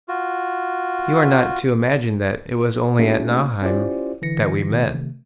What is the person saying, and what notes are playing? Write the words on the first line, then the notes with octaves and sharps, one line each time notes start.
You are not to imagine that it was only at Nauheim that we met.
F4 F#4
A3 A#3 C#4 D#4 F#4 G#4
C#4 E4 F4 G4 C5 D5
D3 E3 A#6 C#7
C3 D#3 A3